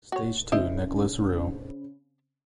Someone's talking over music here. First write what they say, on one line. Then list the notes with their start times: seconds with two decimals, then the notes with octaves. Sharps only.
Stage two Nicolas Roux.
0.12 F#4 C#5
0.52 C#3 C4 E4 C5 D#5